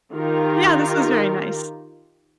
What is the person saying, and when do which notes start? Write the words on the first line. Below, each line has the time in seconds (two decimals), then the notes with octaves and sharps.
Yeah, this was very nice.
0.13 D#3 F4 G4 A#4